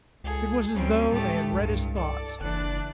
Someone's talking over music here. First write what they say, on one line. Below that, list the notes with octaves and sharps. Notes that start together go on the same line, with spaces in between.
It was as though they had read his thoughts.
C#2 G#4 A4
D2 G3 C4 C#4
A2 G#3 A3 G4
C2 G2
A4 D5
F#1 E3 D4 F#6